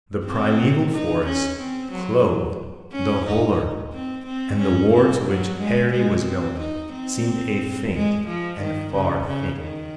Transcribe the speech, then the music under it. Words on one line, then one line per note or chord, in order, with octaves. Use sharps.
The primeval forest clothed the whole earth, and the war to which Harry was going seemed a faint and far thing.
C4
D#4
C#4
C4
F#3
C#4
D#4
C4
C4
C#4
C4
F#3
G#3
G#3
C4
D#4
C4
G#3
F3
D#3
C#3
C#3
D#3